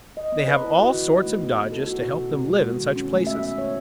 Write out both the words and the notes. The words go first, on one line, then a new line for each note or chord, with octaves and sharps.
They have all sorts of dodges to help them live in such places.
D#5
B3
B4
E4
F#4
D#3
D#4
A3
B3
B3
A4
F#4
B2
B2
B3
G#3
F#4
D#3
C#4
A3
E5
B3
C#5